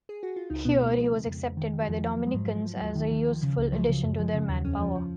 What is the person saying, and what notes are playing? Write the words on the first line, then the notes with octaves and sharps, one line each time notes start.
Here he was accepted by the Dominicans as a useful addition to their manpower.
G#4
F#4
F4
C#2 D#4
B2 B3
B2 G#3
F3
C#3
F2
F2
D#3
D#3
F#3
F2 F3
F3
F#3
F3
G#3
G#2 F#3
F3
F3
F#3
D#2 F3
D#3
D#3
F3
C#3
C#2
F3 F#3
C#3
F#2
F3
C#3
D#2
F2 C#4
F3
F3